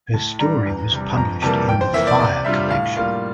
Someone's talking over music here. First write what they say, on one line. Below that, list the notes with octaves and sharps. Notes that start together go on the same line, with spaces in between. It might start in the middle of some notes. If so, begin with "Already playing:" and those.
Her story was published in the 'Fire' collection.
A2 A5
G3 D4 A#5
E2
C3 G3
F2 A#5
C3 E3 G3 A#3 A5
F2 G5
C5
E3 A#3 E5
D5
C3 D5
G3 D4 F4 E5
A2 F5
G3 A#3 F4 F5